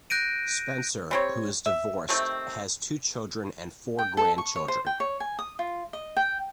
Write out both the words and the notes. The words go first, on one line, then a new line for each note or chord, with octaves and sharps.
Spencer, who is divorced, has two children and four grandchildren.
F#6 G6 A#6 D7 D#7
G3 C4 C#5
E5
C3 D#3 A3 C4
G5
A4
C#6
C#5
C5
G5
C#5
G#5
D#6
F4
D#5
G5